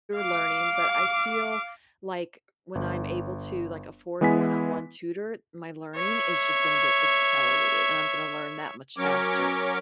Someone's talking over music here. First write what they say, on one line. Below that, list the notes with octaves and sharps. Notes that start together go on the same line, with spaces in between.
we were learning but I feel, like, when I'm able to, like, afford one-on-one tutor, my learning is just gonna get accelerated, and I'm gonna learn that much faster.
F5 D6
G1
E3 G#3 B3 E4 G#5 B6
C#5 E5
F#3 C#4 A#4 C#5 D6